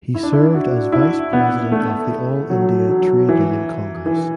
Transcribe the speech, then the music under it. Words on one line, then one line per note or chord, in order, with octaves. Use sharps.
He served as vice president of the All India Trade Union Congress.
E4
D4
E4
F#4
E4
B3
A3
F#3
F#3
E3
E3